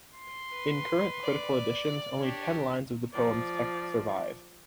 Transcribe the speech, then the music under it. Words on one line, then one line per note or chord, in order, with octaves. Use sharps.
In current critical editions, only ten lines of the poem's text survive.
C6
B4
D5
D4 G4 C#5
F3 D5